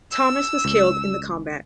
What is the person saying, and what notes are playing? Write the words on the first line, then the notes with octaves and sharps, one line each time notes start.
Thomas was killed in the combat.
E6
C#2